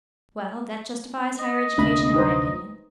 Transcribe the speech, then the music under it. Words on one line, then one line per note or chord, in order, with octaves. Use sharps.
Well, that justifies higher education in my opinion.
D#5
F1 D2 A3 D4 B5
D#4 B4 C5